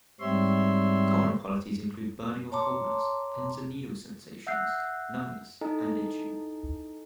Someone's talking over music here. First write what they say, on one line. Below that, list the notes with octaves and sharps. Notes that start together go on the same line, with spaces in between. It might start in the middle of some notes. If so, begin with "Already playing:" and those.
Common qualities include burning or coldness, "pins and needles" sensations, numbness and itching.
G#2 G3 C4 C#5 E5 C6
C#5 A5 A#5 C6 D6
E5 F#5 E6 F#6 G6 C7
D#4 E4 A4 D#5 G#5 A#5